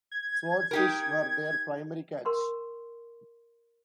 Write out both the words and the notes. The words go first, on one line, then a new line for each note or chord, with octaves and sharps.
Swordfish were their primary catch.
G#6
D#4 G4 A#4
A#4 C6 C#6